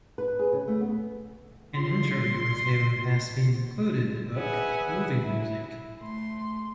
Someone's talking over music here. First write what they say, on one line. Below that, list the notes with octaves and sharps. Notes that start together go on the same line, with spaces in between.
An interview with him has been included in the book "Moving Music".
B4
G#4
C#3
A3
B3
F4 C6
G#4 B4 E5 F#5 G#5
E4
A3 C6